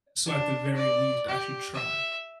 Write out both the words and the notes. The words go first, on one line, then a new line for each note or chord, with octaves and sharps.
So, at the very least, I should try.
D4
D5
G4
E5